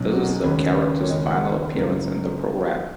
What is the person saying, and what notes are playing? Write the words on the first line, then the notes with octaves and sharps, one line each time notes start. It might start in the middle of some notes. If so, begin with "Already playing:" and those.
This is the character's final appearance in the programme.
Already playing: B1 B2 F#3 C#4
F#4
G#4
D#2 C#3 G#3 C#4 B4
C#5
D#2 C#3 G#3 C#4 D#5
F#5
B4
F#1 F#2 C#3 G#3 A#4